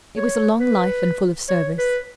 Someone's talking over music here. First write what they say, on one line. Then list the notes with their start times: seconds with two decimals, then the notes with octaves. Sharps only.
It was a long life and full of service.
0.17 C#5
0.60 B4
1.49 C#5
1.78 B4